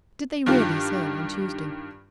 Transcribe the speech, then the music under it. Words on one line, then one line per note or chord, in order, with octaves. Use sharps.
Did they really sail on Tuesday?'
G2 D#3 F4 G4